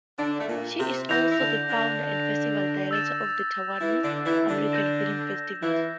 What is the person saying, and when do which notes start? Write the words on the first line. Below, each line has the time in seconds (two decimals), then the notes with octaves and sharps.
She is also the founder and festival director of the Taiwanese American Film Festival.
0.19 D3 D4
0.40 A3
0.49 A#2 A#3
0.80 C3 C4
1.09 E3 E4 G6 A#6 F7
1.32 E4
1.39 D3 D4
1.69 D3 D4
2.91 E6 A6 E7
3.81 E3 E4
4.03 D3 D4
4.26 E3 E4
4.49 D3 D4
4.72 G6 A#6 E7
5.62 E3 E4